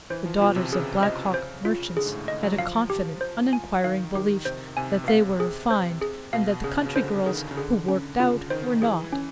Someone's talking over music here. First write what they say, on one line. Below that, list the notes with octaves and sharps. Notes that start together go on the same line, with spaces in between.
The daughters of Black Hawk merchants had a confident, uninquiring belief that they were "refined," and that the country girls, who "worked out," were not.
E3 C5
F3
B2 F4
C3
C#3 G#4
D#5
C5
F4
D3 G#4
G#2
A2
D3 D#5
F#3
F3 F5
G4
C5
G#5
D#3 F5
D#3 G4
C3 C5
C3 G#5
B2
C3 F5
G#4
C5
G#4
B2 F5
C#3 G#4
C#3
D3 C5
D#3 G#4
C#3
D3 G#4
C#4
C#3 F4
D#3 C5
E3 G#4
C#4